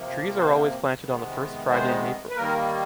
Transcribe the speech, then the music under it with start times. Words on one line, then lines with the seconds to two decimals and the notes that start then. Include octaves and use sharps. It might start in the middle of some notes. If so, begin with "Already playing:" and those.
Trees are always planted on the first Friday in April.
Already playing: C3 F3 A#3
0.37 C5
1.03 C3 D#3 G#3 B3
1.70 C5
2.30 B4
2.36 D#3 G3 A#3 A#4